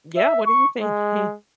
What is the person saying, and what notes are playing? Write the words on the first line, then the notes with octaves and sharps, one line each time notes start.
Yeah, what do you thinking?
E5
C#6
G#3